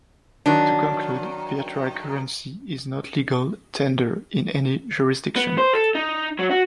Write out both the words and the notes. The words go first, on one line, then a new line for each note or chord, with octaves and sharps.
To conclude, virtual currency is not legal tender in any jurisdiction.
D#3 F#3 D4
B3
C5
A4
D#4
F#3
F#4